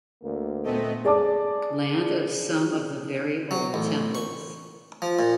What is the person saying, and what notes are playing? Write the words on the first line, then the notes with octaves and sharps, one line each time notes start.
Land of some of the very old temples.
D2 A#3
A#2 A3 B3 C4 D#5
G#4 D5 A5 D6
F#3
A1
C#6
F3
A#2